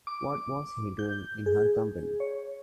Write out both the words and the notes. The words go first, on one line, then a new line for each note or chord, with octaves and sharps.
What was he doing in her company?
D6
G6
G#4
C#5